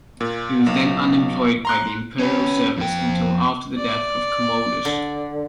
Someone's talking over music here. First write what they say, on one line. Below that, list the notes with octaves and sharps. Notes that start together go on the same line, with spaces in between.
He then was unemployed by the imperial service until after the death of Commodus.
A#2
B1
A#5 C6 F#6
C#4 B4
F2 G5
D5
D3